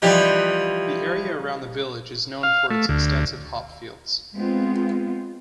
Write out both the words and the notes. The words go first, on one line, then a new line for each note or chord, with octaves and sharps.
The area around the village is known for its extensive hop fields.
C3 E3 F3 G3 D#4 G4
F5
A3
D2
G#3 B3 C4 F4